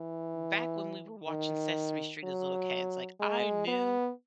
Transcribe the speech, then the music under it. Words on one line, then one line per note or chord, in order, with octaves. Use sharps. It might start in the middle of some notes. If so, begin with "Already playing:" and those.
M Back when we were watching Sesame Street as little kids, like I knew,
Already playing: E3
D#3
F#3
G#3
B3